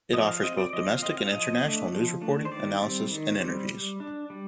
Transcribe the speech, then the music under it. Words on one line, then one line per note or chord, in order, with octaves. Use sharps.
It offers both domestic and international news reporting, analysis, and interviews.
F3 D#5
F5
C4 D#5
D5
F3 D#5
F5
C4 D#5
F5
F3 D#5
A3 D4
F3
A3 D4
C5
D#3 D5
G3 C4
D#3
G3 C4
G3
D4
G3